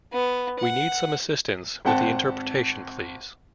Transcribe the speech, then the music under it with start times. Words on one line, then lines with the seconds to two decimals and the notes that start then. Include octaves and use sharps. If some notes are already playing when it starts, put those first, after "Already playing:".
We need some assistance with the interpretation, please.
0.13 B3
0.59 F#5
1.85 G#1 C4 F#5 G5 A5